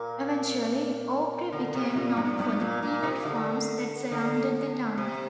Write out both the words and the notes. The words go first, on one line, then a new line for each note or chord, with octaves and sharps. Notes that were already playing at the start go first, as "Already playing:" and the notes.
Eventually, Aubrey became known for the peanut farms that surrounded the town.
Already playing: A#2
D3
C3
A#2
G2
G2
A#2
A#2
C3
D3
D3
C3